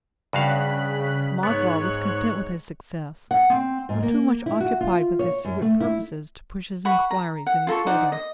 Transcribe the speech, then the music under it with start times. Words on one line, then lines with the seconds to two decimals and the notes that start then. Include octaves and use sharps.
Magua was content with his success, or too much occupied with his secret purposes to push his inquiries any further.
0.33 G2 C#3 F#4 F5 F#6 B6
1.43 G#2 B3 C#5 F#6
3.31 F#5
3.50 C4
3.89 G#2
4.03 A#3
4.46 E4
4.60 F#4
4.81 F4
5.19 C#5
5.45 F#2
5.62 A3
5.80 E4
6.85 F#5 B5 C#6
7.11 A#5
7.47 F#5
7.67 F4 A4 A#5 C#6
7.86 D#4 C5 D5 F#5
8.12 D#5